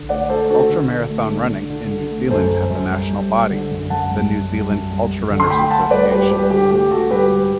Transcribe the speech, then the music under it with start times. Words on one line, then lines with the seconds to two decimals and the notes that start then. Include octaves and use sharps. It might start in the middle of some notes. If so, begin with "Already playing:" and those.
Ultramarathon running in New Zealand has a national body: the New Zealand Ultrarunners Association.
Already playing: D3
0.09 A3 D5 F#5
0.29 A3 A4 C5
0.49 D4 F#4 A4
0.69 D3
0.90 D3
1.10 A3
1.30 D4
1.50 D3
1.70 D3
1.90 D3
2.11 A3
2.31 F#2 A4 C5
2.50 F#2
2.70 F#2
2.90 G3
3.10 G3
3.30 G3
3.51 D3
3.71 F#2
3.90 F#2 F#5 A5
4.11 G3
4.30 F#2
4.50 G3
4.71 F#2
4.90 G3
5.10 F#2
5.30 D3
5.40 C6
5.50 A3 G5 B5
5.71 A3 F#5 A5
5.90 G2 B4 D5
6.11 G2 G4 B4
6.31 G2 G4 B4
6.50 D3 G4
6.71 A3 G4
6.91 D3 F#4 A4
7.11 G2 G4 B4
7.31 G2